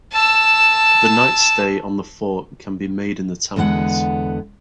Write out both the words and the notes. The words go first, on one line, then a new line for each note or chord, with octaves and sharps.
The night stay on the fort can be made in the temples.
A5 E6
E2 D3 G#3 B3 F#5